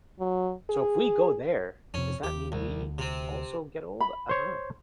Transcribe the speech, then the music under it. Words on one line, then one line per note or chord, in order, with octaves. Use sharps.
So, if we go there, does that mean we also get old? I don't know.
F#3
G#4
F2 C3 C#4
D#2 G4
C2
D2
C3 C4
B5
C5 C#5